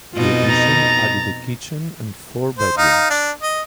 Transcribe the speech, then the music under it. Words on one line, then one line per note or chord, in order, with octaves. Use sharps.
The addition added a kitchen and four bedrooms.
F2 B2 D#4 F4
A#5 A6
C5
D#4 F5
D4
D#5